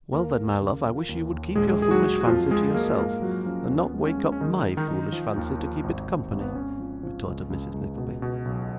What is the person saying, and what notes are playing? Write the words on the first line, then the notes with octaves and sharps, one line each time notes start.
'Well, then, my love, I wish you would keep your foolish fancy to yourself, and not wake up MY foolish fancy to keep it company,' retorted Mrs Nickleby.
D#2 A#3 A#4
D#2
C#3
F3
D#2
D#2
A#1 G#3 G#4
A#1 G#4
F#3 F#4
F#3
F#4
F2 F3 F4
G#3 G#4
G#3 A#3 A#4
G#2 A#3 A#4
F3 F#3 F#4
F3 C#4
D#2 C#4
B3
G#3 B3
C#4
G#3
C#4
D#3 G#3 D#4
D#3
D#3 D#4
D#3
F3
D#2
F3
G#1
G#1
G#1
B3
G#1 C#4
F3
F3
C#2
C#2
C#2
B2
B2
B1